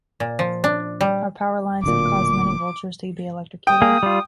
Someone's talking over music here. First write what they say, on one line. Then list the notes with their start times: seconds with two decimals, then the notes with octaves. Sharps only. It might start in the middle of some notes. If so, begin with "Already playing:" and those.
Our power lines have caused many vultures to be electrocuted.
0.20 A#2
0.39 F3
0.64 D4
1.01 G3
1.84 D1 D2 A#2 D6
3.67 G5 D#6
3.82 A#3 G#4
4.03 G3 F4